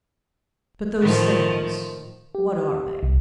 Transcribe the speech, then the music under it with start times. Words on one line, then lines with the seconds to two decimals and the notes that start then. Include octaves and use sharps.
"But those things--what are they?"
1.00 A2 D#3 F3
2.35 G4
3.03 C2